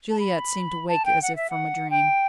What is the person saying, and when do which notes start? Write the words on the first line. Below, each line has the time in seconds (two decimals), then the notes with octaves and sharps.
Juliette seemed to wake as if from a dream.
0.10 A5
0.19 B5
0.88 A5
1.05 G5
1.22 F#5
1.36 E5
1.49 F#5
1.90 G5